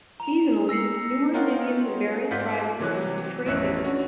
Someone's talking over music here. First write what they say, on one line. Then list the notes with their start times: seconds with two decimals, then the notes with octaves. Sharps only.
Seasonally numerous Indians of various tribes would come to trade there.
0.20 A#5 F7
0.69 E6 A#6 C7 C#7
1.34 C#4 D#4 F4 A#4 F#5 G5
2.31 G#2 F4 D5 F#5 G6 B6
2.80 C3 E3 F#3 D6 F#6
3.46 A1 F2 C#4 E5 F#6 C#7
3.84 C#4 D4 F#4